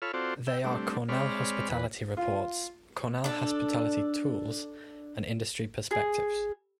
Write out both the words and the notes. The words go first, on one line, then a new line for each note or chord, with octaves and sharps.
They are Cornell Hospitality Reports, Cornell Hospitality Tools, and Industry Perspectives.
F4 A4 C#5 B5 E6 F6
C4 F4 F#4 A4 C5 D5
G5 E6
G3 A3 C4 D4
G#3 C4 C#5 D5 B5 F6
E2 B4
F4
D4 A4
G#4